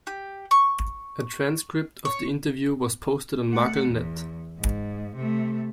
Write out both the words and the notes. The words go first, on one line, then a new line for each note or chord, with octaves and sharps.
A transcript of the interview was posted on MuggleNet.
G4
C#6
C#5
A3 F#5
E2
G#2
C3 A3